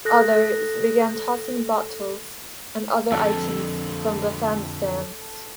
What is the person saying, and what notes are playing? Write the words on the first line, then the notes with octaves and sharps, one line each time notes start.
Others began tossing bottles and other items from the fan stands.
A4 F#6 A#6
F2 D3 A4